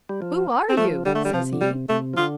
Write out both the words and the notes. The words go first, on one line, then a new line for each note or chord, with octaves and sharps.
"Who are you?" says he.
G3
F3
C4
F3 A3
D3 G3
A3
G3
C3 F3
D3
C3 G3
C3 A3
F3
D3 F4